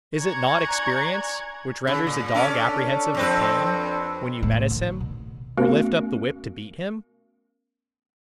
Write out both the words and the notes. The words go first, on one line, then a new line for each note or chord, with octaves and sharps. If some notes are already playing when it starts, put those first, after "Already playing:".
Is it not experience, which renders a dog apprehensive of pain, when you menace him, or lift up the whip to beat him?
D5 G#5 A#5 C#6 F#6 G#6
C#3
A#2
C#4 D4 A4 D5
F2 C4 B4
A2 B3
D#3
B2
A3 B3 C#4 F#4 A#4